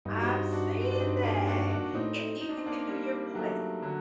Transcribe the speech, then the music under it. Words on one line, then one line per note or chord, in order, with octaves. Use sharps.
I've seen that! It even can do your voice.
G2 D#4
F#4
C4 D#4
D4 F#4
C4
D4
C4 D#4
A#3 D4
D4 F#4
D4 F#4
A2 C4 D#4
D#4
D4
C4
A#3 D4
G3 A#3
F#3 A3
D3 F#3